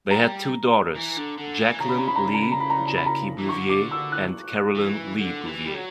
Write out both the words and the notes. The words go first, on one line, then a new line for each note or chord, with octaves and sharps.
They had two daughters, Jacqueline Lee "Jackie" Bouvier and Caroline Lee Bouvier.
G3 A#5
E3
D3
D3
E3
C#3 A#5
B5
A#5
B5
A#5
B5
A#5
B5
A#5
B5
A#5
B5
A#5
B5
A#5
E3
D3 C#6
D6
E6
F#6
E3
D3
E3
G3
F#3